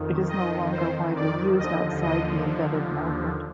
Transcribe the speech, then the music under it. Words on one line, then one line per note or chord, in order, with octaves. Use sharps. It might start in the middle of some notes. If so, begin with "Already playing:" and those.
It is no longer widely used outside the embedded market.
Already playing: F2 D#3
D#5
C5
D5
D#2 D3 F3 D#5
D#5